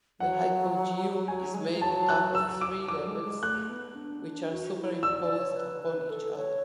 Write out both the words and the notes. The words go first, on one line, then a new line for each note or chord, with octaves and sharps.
The Hypogeum is made up of three levels, which are superimposed upon each other.
F#3 F#5
F#3 G#5
G#3
G#3
F#3 A5
F#6
E6
D6
F#3 D6
G#3
G#3
A3 F#6
B3
D4
D4
F#4
E4
D5 E6
D5
C#5
B4
B4
A4
C#5